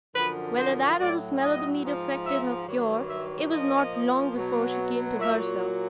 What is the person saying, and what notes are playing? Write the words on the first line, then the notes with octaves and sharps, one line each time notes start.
Whether that or the smell of the meat effected her cure, it was not long before she came to herself.
F#2 D3 F3 B4
C5
A2 F#3 D5
D#5
G#2 F3
E5
G2 D#3 F#3
E5
A#2 F3 D#5
B2 F#3
A#2 F#3 E5